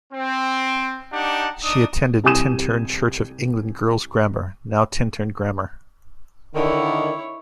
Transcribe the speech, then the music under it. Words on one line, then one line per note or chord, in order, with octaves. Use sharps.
She attended Tintern Church of England Girls' Grammar, now Tintern Grammar.
C4
D4 D#4 G4 F#5 A5
D4 D#4 D#6
C2 G4 G#5 D#6 E7
D3 D#3 E4 C#5